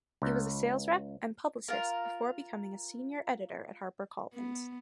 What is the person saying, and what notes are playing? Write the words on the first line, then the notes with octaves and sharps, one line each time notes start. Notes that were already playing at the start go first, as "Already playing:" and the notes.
He was a sales rep and publicist before becoming a Senior editor at HarperCollins.
C#2
F4 A#4
B3